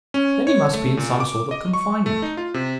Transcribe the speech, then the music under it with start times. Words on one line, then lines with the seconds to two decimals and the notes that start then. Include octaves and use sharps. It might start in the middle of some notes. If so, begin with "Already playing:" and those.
Then he must be in some sort of confinement.
0.14 C#4
0.47 C#5
0.73 A3
0.97 A#2
1.20 D6
1.51 D#5
1.73 C#6
2.06 A3
2.22 D#4
2.37 F4
2.54 C3